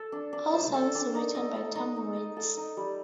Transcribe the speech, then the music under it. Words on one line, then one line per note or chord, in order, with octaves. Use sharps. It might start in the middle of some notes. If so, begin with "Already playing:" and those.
All songs written by Tom Waits.
Already playing: A4
D4
D4
C5
A4
D4
D#4
D#5
A4
D#4
D#4
D#5
A4
D#4
G3